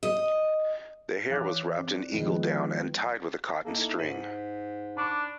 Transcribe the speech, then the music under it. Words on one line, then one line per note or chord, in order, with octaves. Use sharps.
The hair was wrapped in eagle down and tied with a cotton string.
D#5
E3 C#5 F5 D6 F#6
C4 D5
D#3 F3 G#3 B3
A#3 D#4 E4 A4
G#2 B6 D#7 F#7
D4 B5 C#6 D6